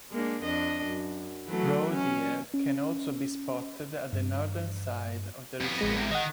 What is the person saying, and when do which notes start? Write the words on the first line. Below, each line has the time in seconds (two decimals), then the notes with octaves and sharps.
Roe deer can also be spotted at the northern side of the reserve.
0.11 G#3 A#3 D4
0.43 F2 D4 D#5
0.86 F#2
1.46 E3 F#3 A3
1.92 C#4
2.54 C#4
4.13 G2
5.61 F2 B3
5.78 A1 G#3 A#6
5.97 E2 C3
6.11 D#3 D#5 F#5